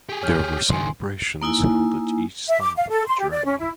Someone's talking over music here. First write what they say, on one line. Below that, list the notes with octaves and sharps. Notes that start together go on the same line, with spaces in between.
There were celebrations held at each stop of the journey.
G4 G#4
C#5 F6 G6
C#2 D#3 G#5 C6
A#3 D#4 E4 G#5
E5
D6
F5
A4
C6
G4
D5
C#4
E4